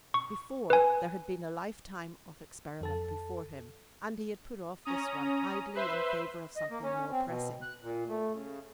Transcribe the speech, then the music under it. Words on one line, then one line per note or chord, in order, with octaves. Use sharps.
Before there had been a lifetime of experiment before him, and he had put off this one idly in favour of something more pressing.
C#6
B4 G#5
F2 A4 A5
C#4 A#5 D#6
B4 C5 E5 C6
D#5
A#3
C#4
C4
B2
F#6
A#2
A3
C#3